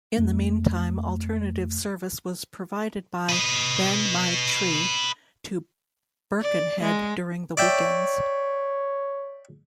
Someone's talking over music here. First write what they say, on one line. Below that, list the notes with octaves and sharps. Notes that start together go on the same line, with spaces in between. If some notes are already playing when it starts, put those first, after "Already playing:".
In the meantime alternative service was provided by "Ben-my-Chree" to Birkenhead during the weekends.
F2 A3
B4 D#5
D5
G#3
C#5 D5 E5 G5